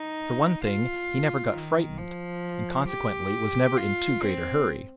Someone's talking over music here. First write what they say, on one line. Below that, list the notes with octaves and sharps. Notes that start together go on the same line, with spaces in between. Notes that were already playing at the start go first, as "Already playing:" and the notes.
For one thing he never got frightened, and consequently was never in too great a hurry.
Already playing: D#4
F4
D#3
F3
G4
F4
C4